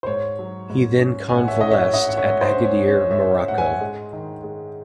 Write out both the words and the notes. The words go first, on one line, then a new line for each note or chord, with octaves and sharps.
He then convalesced at Agadir, Morocco.
C5
G#2 C#5
F#3
G#2
C#4
A1 G#5
F#5
C#5 E5
A1 D#5
C#5 E5
C#4 D#5 F#5
F#5
C#5 E5
G#2
C5 D#5
C#4
C#5
C#4 C#5
C#5 E5
C#4
G#2 F#5
E5 G#5
G#3
D#3
G#3